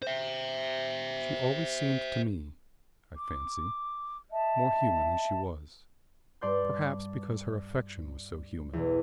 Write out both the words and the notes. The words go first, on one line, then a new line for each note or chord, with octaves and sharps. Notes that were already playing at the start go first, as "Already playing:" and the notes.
She always seemed to me, I fancy, more human than she was, perhaps because her affection was so human.
C5 E5
D6
D#5 E5 A5
G2 D5 A5 C6 G6
B1 E2